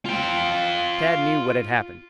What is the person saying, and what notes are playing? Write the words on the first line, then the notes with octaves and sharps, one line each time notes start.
Tad knew what had happened.
F4 G5